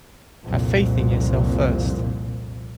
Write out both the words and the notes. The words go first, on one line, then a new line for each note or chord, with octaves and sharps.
Have faith in yourself first.
C2 F2 A#2